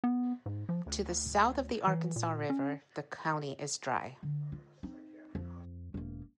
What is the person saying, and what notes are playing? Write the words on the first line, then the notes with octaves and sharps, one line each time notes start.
To the south of the Arkansas River, the county is dry.
B3
G#2
F3
D2
E3
A#2
C#4
D3
F4
C4 D#4
F2
E1 A#3